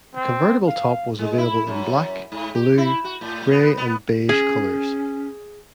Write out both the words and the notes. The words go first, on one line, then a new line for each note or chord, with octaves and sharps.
The convertible top was available in black, blue, grey and beige colors.
C4
F5
G#3
E4
F#2
G#2
G4
E4
F#4
A2
B3
B3
C#4 G#4